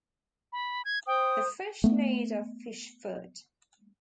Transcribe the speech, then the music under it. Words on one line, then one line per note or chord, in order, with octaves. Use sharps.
The fish need of fish food.
B5
G#6
C5 G5 D#6
A3 B3